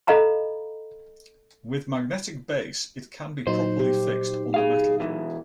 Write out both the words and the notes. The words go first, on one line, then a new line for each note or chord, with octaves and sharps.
With Magnetic Base it can be properly fixed on the metal.
A4 D#5 F5 A#5 B5
A#2 F#3 D#4 C5
G4
G#4 F5
B2 E3